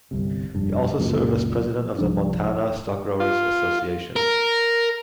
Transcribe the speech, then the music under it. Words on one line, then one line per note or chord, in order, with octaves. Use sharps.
He also served as President of the Montana Stockgrower's Association.
G1 C2 C3
F1 G2
C#2 F#2 A#2
C2 F3 D4
F4
A#4